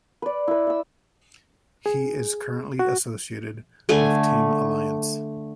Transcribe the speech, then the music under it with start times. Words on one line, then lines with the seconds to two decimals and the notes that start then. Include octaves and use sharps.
He is currently associated with "Team Alliance".
0.22 B4 D5
0.48 E4 B4
0.67 E5 E6
1.86 G#4
2.79 F#4
3.89 D3 A3 G#5